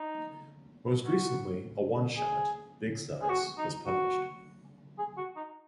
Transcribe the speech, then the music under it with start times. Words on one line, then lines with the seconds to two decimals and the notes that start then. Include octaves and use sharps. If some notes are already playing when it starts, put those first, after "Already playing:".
Most recently, a one-shot, "Big Size", was published.
Already playing: D#4
1.04 F#4
2.17 G#4
3.22 G#4
3.29 F#4
3.58 D#4
3.86 F#4
4.98 G#4
5.17 F#4
5.36 D#4